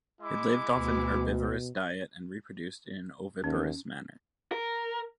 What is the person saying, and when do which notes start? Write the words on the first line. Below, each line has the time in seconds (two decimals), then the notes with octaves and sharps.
It lived off a herbivorous diet and reproduced in an oviparous manner.
0.20 G#3 E4 D6
0.71 D2 B2
3.44 D#2 C#4
4.52 A#4